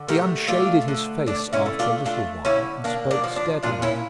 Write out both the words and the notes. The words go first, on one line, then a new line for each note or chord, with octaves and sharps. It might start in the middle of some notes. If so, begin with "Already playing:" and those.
He unshaded his face after a little while, and spoke steadily.
Already playing: D3
A3 G4 A#4
A3 D4 F4
D3
D3 D4
C#4 E4
A3
D4 F4
A3 D4 F4
D3 C#4 E4
A#3 D4
D4
F3
D4
A#2 D4 F4
C#4 E4